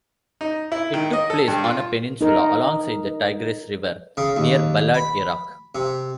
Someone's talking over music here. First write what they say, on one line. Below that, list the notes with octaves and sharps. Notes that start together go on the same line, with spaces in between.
It took place on a peninsula alongside the Tigris River near Balad, Iraq.
D#4
E4
D#3
D#5
A4
G2
F4
D#4 A#4
C#3
D#2
B5
C3